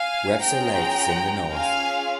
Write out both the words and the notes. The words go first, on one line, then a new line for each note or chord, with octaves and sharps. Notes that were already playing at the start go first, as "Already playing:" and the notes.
Webster Lake is in the north.
Already playing: F5 G#5
C#4 F4 G#4 G5 A#5
C#4 F4 G#4 F5 G#5